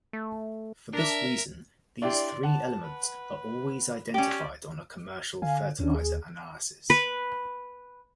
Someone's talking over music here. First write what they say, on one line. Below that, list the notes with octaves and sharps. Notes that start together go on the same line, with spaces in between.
For this reason these three elements are always identified on a commercial fertilizer analysis.
A3
D4 A#4 E5
D4 E4 G4 D5 C6
F#5 A5
B4
C#4 G4 D5
D3 F5 G#5
D#2 D#3 C#4 D4
G#4
B4